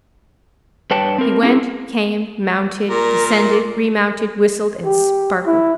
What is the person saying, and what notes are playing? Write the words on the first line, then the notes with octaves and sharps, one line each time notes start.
He went, came, mounted, descended, re-mounted, whistled, and sparkled.
G2 B4 C#5 G5 A5
C4 A#4
C4 C#4 E4 G#4 A#4
A#2 A#4
G4
E4